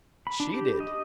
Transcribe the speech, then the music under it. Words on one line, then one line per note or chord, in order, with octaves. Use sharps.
"She did."
B5
D4
G4
D#5